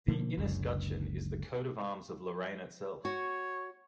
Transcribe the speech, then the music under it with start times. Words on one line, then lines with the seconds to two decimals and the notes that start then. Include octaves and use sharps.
The inescutcheon is the coat of arms of Lorraine itself.
0.08 B2 D3 F3 A#3
0.37 F#1 C#2 F#2 D3
3.05 F#4 C#5